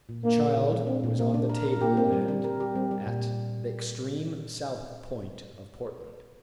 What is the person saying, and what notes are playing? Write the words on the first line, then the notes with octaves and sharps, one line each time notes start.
The child was on the table-land at the extreme south point of Portland.
A#2
A#3 D4
A#2
A#2
G#3
C4 D4
A#2
A#2 A#3
D4
A#4
A#4
A#3 G4
C4
G3
G3
A#4
G4
G3 C4
G3
A#2